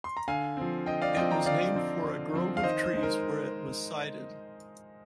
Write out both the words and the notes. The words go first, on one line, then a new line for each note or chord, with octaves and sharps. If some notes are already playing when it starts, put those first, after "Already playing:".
It was named for a grove of trees where it was sited.
C6
A#5
D3 F5 G#5
F3 C4
D3 D#5 G5
D5 F5
F3 C4 D#5 G5
G5 A#5
D3 D5 F5
F3 C4
D3
F3 C4
F5
D#3 C5 D#5
C5
G#3 D#4
A#4